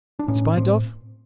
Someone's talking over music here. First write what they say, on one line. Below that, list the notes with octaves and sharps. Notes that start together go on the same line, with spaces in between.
In spite of?
D4
A2 C#4
A2 C4